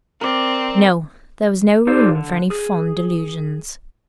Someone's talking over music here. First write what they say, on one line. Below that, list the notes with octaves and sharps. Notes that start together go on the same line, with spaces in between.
No! there was no room for any fond delusions!
C4 A#4 D5
D#4 G4 A4 C5 D5 F5
D3
G#4